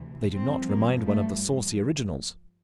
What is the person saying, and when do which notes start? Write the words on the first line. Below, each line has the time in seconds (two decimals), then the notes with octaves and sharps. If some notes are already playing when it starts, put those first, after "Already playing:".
They do not remind one of the saucy originals.
Already playing: D2 C3 E3
0.32 G2 F3 C4
0.68 A#3
1.06 A3